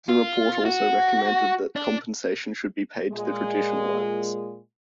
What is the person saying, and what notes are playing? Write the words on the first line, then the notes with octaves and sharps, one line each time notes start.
The report also recommended that compensation should be paid to the traditional owners.
F4
F#4
D4
A#2 G#3